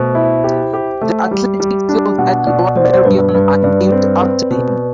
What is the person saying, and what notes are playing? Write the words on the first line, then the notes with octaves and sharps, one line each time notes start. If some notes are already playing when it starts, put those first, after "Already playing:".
The athletic fields at Lower Merion are named after him.
Already playing: B2 A3 C5
E4 E5
G4
G4
A3
G3
G3
D4
B2 F#5
B2 D5
B2 C5
D5
C5
G2 B4
G2 B4
G2 D5
C4
C4
B2